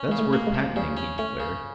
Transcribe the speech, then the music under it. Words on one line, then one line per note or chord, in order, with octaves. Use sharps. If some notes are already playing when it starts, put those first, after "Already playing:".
"That's worth patenting," he declared.
Already playing: C#4
C#3 G#3
A3
A#3
G#3
F3
C#3 G3
C#4
A3 C#4
C#3